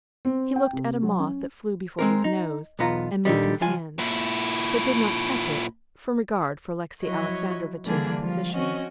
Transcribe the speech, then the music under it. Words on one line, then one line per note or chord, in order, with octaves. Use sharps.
He looked at a moth that flew before his nose, and moved his hands, but did not catch it from regard for Alexey Alexandrovitch's position.
C4
G5
C3
F#3
C#4
G#3 C4 A#4
D#4
B1 E2 B3 F4 A#5
A#2 D3 D#3 G3
C#2 F3 F4 G#5
A#2 E4
F3 F#3 E4 F#4 C#5 D#5
D3 E3 G3 A#3 D4 G#4
F3 G3 F4
C4 C#4 F#4 D#5